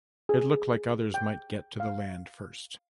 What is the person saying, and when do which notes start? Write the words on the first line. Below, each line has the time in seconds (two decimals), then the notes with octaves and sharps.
It looked like others might get to the land first.
0.29 G#4
1.14 G5
1.80 F5